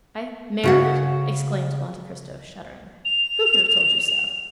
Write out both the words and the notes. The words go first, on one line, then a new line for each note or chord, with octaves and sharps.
"I, married?" exclaimed Monte Cristo, shuddering; "who could have told you so?"
C#3 F#4 F#5
F7